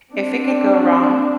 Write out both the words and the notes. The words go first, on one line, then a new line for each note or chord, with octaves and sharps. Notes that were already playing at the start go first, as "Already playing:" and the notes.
if it could go wrong,
C4 D4